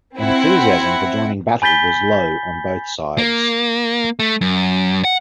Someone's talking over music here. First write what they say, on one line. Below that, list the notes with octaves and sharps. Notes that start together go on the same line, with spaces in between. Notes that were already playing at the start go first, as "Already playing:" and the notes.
Enthusiasm for joining battle was low on both sides.
C4 E4 F#5
G#5 B5 G6 A6 B6 G7
A#3
A3
F#2
F#5